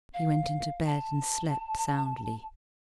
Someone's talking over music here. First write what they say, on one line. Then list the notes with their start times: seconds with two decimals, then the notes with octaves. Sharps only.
He went in to bed and slept soundly.
0.14 F5
0.85 A5